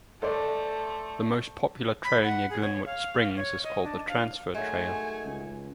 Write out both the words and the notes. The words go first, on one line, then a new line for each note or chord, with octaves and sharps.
The most popular trail near Glenwood Springs is called the Transfer Trail.
A3 A4 C5 D5
B5
F#5
G#4
C#5
F5
F5
C#5
D#5
D4
F5
D#3 F#3 G#3 A3 G#5
C#2